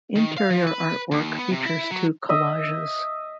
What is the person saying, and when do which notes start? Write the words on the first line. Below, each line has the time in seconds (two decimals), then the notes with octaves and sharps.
Interior artwork features two collages.
0.16 D#3
0.38 F5
0.50 F3
0.67 B4
1.12 D#2
1.39 B3
1.51 C3
1.65 E4
1.91 F#3
2.29 D#5 E5